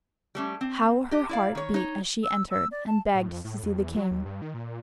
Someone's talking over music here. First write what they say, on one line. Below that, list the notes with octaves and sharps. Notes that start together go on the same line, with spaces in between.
How her heart beat as she entered, and begged to see the king!
G3 A3 C#4
C4
G4 D#5
E4 D5 F5
D#3 C#5
D#4 C#5
E6
E6
D5
A5
A2
F2
A2
F2
E2
F#3
D#2
G2
D#3
A#2